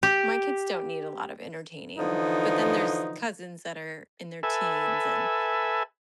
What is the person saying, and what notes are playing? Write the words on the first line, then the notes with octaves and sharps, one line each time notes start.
My kids don't need a lot of entertaining, but then there's cousins that are in their teens, and
G4
D3 E3 F3 D#4
A4 B4 E5 G#5